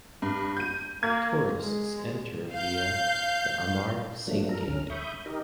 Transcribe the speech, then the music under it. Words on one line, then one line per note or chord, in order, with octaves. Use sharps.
Tourists enter via the Amar Singh Gate.
G2
G6 D#7
A#3 G#6
G#3
F5 G6
F3 F#3 A3 A#3 D4
A4 A#4 A#5
D2 D3 C#4 F6
E5 B5 C#6 D#6 G6
D#4 G4 A#4 D#5